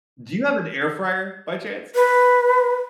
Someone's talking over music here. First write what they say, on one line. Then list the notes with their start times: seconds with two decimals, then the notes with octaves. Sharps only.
do you have an air fryer, by chance?
1.95 B4